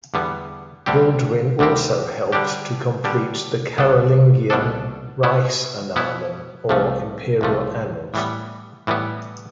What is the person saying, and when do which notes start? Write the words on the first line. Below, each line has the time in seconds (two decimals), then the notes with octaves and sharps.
Hilduin also helped to complete the Carolingian "Reichsannalen", or imperial annals.
0.14 E2 D3 G3 B3
0.86 D2 D3 G3 C4 G4
1.59 D2 D3 G3 C4 G4
2.32 D3 G3 D4 G4
3.04 D3 G3 D4 G4
3.78 C2 B2 B3 D4 A4
4.50 C2 B2 B3 D4 A4
5.23 B2 B3 E4
5.96 B2 B3 E4
6.69 C2 C3 F3 A3
7.41 C2 C3 F3 A3
8.14 A2 E3 G3 B3
8.87 A2 E3 G3 B3